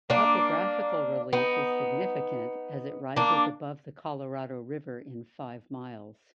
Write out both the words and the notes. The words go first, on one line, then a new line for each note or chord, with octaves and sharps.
Topographic relief is significant as it rises above the Colorado River in five miles.
A#3 D4
B3 D#4
A#3 D4